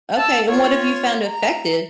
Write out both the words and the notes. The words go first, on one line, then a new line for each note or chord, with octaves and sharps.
Okay, and what have you found effective
A5 E6
F4 C#5
A#5